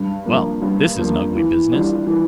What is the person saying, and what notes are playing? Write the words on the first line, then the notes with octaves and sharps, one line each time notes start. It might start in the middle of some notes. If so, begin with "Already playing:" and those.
'Well! this is an ugly business!
Already playing: G2
F3 A#3
G2
F3 A#3
E3
G3 D4 F4
E3